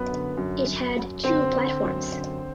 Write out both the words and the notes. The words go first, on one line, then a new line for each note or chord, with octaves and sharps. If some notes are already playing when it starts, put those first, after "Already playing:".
It had two platforms.
Already playing: F#2 B3 B4
D3
F#2
F#2
F#2
D3 C4 C5
D3
F#2
D3